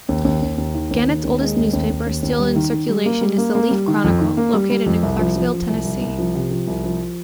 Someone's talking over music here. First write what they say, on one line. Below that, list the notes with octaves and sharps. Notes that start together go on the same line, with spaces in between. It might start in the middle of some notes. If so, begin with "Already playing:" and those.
Gannett's oldest newspaper still in circulation is the "Leaf-Chronicle" located in Clarksville, Tennessee.
D#2
D#2
D#2
D#2
D#3
D#2
D#3
D#2
G#3
D#2
D#2
D#2
D#2
D#2
G3
D#3
D#3
G3
A#3
G3
A#3
A#3
G3
D#3
F2
D#3
A#3
G3
G3
F2
C2
F3
F3
F3
C2
C2
C2
F3
C3
F3
C2
F3